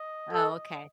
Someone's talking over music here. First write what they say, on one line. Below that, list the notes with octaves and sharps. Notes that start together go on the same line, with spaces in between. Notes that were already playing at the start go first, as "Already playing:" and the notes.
Oh, okay.
Already playing: D#5
A4